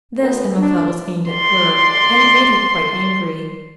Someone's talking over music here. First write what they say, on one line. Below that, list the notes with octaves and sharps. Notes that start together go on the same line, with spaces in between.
This Emma felt was aimed at her; and it made her quite angry.
D2 B3 A#4
D4
D5 C6